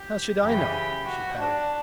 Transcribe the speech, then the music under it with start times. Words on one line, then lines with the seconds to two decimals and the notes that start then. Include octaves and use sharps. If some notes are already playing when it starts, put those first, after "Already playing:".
"How should I know?" she parried.
Already playing: G4
0.41 F#2 C#3 E3 G4
1.07 F#4
1.39 D4